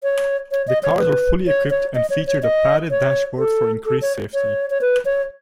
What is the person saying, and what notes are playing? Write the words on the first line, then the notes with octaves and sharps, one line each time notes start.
The cars were fully equipped and featured a padded dashboard for increased safety.
C#5
C#5
D#5
C#5
B4
C#5
C#5
D#5
C#5
C#5
D#5
C#5
A4
A4
C#5
C#5
C#5
B4
C#5